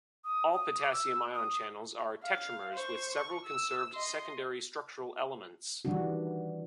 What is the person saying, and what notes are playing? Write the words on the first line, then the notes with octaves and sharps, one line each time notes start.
All potassium ion channels are tetramers with several conserved secondary structural elements.
D#6
D#6
D6
E6
D#6
F5
C5 C#6
C#6
E6
D#5 C6
D#3 E3 G3 D4 F#4